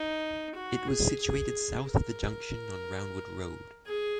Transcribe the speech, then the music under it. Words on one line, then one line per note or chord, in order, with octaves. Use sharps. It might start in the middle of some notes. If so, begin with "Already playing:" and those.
It was situated south of the junction on Roundwood Road.
Already playing: D#4
F#4
G#4
G#4
A#4
G#4